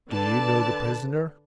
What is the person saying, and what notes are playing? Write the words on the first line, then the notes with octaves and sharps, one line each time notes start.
"Do you know the prisoner?"
D3 B4 D5 A5